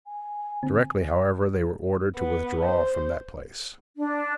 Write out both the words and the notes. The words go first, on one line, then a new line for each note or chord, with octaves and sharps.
Directly, however, they were ordered to withdraw from that place.
G#5
D3 C4 G#5
B3
C5
D4